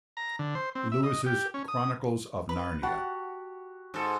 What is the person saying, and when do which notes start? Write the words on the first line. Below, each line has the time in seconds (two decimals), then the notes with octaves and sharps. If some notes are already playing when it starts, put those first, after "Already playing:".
Lewis's "Chronicles of Narnia".
0.17 A#5
0.39 D3
0.55 C5
0.75 C4
0.92 E5
1.03 D#5
1.26 G4
1.54 C#4
1.68 D#6
2.49 B4 B5
2.83 F#4 G4 F#5 A5
3.94 G#2 A4